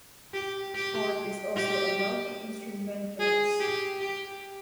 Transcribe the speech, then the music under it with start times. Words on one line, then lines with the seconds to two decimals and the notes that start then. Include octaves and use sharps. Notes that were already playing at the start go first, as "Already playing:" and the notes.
Ford is also a multi-instrumentalist.
0.34 G4
0.75 G4
1.56 G4
3.19 G#4
3.60 G4
4.01 G4